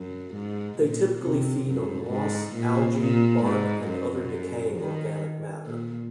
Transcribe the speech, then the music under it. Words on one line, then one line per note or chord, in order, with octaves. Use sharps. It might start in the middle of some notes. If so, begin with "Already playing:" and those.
They typically feed on moss, algae, bark and other decaying organic matter.
Already playing: F#2
G#2
A#2
C3
F#2
G#2
A#2
A#2
G#2
F#2
D#3
A#2